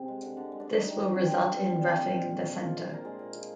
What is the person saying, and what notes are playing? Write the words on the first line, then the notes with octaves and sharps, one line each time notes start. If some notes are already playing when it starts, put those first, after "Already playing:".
This will result in roughing the center.
Already playing: C3 G#4 C5
G#3
D3
D3 D4
G#3
D4
G#3
G3 D#4
G3
D4
D3 C4
D3 D4
G3 D4
G3 D4
A#2 C4
F3
A#2
G#3
A#2
F3
A#2 F4
F3
C5
A#2 A#4
G#3 G#4
A#2
F3